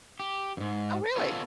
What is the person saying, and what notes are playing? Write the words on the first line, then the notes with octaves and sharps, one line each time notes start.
Oh, really?
G4
F2 G#2
B3 F4 A4 C#5 D#5